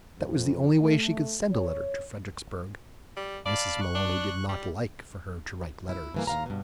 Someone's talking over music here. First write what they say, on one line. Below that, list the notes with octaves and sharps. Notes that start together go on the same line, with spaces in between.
That was the only way she could send a letter to Fredericksburg. Mrs. Maloney did not like for her to write letters.
F2
A3
C#5
G3
D5 F5 A5 B5
C#6 F#6
D4
G3
E4
G2 E3 A#3
D#2 F5 A#5
G2 B2